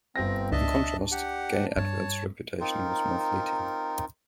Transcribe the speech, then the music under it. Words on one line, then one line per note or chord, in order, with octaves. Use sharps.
In contrast, Gaye Advert's reputation was more fleeting.
G1 C4 G5 A#6
C#2 D4 D#5 E5 A5
G4 F#5
G2 C#5 A5
C4 D#4 F4 A#4